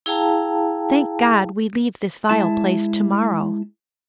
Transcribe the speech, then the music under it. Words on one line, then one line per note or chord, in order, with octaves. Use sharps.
Thank God, we leave this vile place tomorrow.
E4 G#4 F5 G5 A5 A#5
G#3 E4 A5